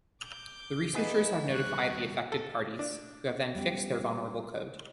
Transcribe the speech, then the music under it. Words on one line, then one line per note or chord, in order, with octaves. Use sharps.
The researchers have notified the affected parties, who have then fixed their vulnerable code.
D6 G6
B3 D#4 G#4 B4 E5 B5
D#2 G3 C#6 F#6
B2
A4
D4
G3 B3 C#4 G4